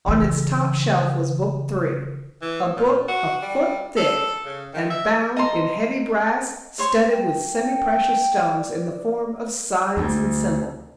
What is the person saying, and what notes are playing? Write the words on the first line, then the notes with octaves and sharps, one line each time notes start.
On its top shelf was Book Three, a book a foot thick and bound in heavy brass studded with semi-precious stones in the form of signs and symbols.
C#3 E3
E3
A#2
F#4
G3
A4
C#3
D#3
E5
D#5 A5 A#5 C6
C5 C#5 C6
G5
G5
D5
D2